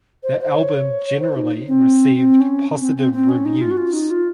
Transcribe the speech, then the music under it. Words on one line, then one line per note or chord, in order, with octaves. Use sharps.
The album generally received positive reviews.
C5
C5
C#5
C5
D#4
C4
C4
C#4
C4
C4
C4
C#4
D#4
F4
F#4
F4
D#4
F4